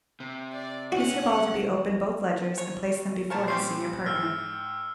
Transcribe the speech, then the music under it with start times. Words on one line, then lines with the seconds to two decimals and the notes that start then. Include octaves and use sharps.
Mr. Balderby opened both ledgers, and placed them before his senior partner.
0.20 C3
0.53 D5
0.92 C#4 F#4 F#5
2.58 C#5
3.30 A#2 G3 A#4 C5 C#5 A5
3.48 C4 C#4 G4 C7
4.06 G#2 G5 E6 F6 G6